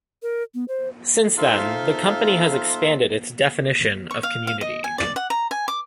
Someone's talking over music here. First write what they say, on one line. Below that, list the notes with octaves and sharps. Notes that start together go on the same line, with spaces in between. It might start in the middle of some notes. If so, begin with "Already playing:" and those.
Since then, the company has expanded its definition of "community".
A#4
B3
C5
D#4 F4 A4 C5 E5 F5
C#6
F5
F5
D#5
G#5
D5
F#5
A#5
G#5
D6